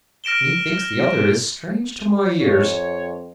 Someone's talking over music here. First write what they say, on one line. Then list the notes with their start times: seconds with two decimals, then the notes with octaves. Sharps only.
Methinks the other is strange to my ears.
0.24 F6 A#6 D7 E7 G7
2.39 F2 C#5